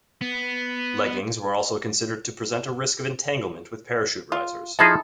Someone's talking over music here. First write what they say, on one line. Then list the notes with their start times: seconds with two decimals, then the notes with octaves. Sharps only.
Leggings were also considered to present a risk of entanglement with parachute risers.
0.21 B3
4.32 F4
4.79 F3 D#4 E4 G#4 A4 D#5